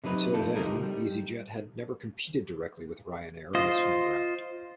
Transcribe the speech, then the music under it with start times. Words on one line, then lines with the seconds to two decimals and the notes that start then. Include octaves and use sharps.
Until then, EasyJet had never competed directly with Ryanair on its home ground.
0.04 C3 F#3 D#4 B4
0.34 F3 A3 A4
0.56 C#2 G3 C4 D#4 A#4
0.83 G3
3.55 F4 C5 D#5